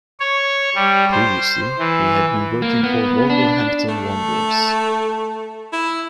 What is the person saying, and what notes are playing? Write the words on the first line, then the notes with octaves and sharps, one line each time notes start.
Previously he had been working for Wolverhampton Wanderers.
C#5
G3
C5
E3
A#3
B3
D4
A3
E4